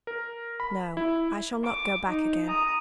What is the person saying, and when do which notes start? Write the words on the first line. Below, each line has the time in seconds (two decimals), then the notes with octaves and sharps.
"No; I shall not go back again."
0.07 A#4
0.60 B5
0.97 E4
1.64 D6
2.07 D#4
2.45 A#5 D#6